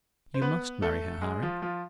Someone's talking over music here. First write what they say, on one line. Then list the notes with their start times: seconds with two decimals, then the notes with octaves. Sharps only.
"You must marry her, Harry."
0.34 C5
0.42 B3 B4
0.82 A3 A4
1.22 G#3 G#4
1.42 F3 F4
1.62 F3 F4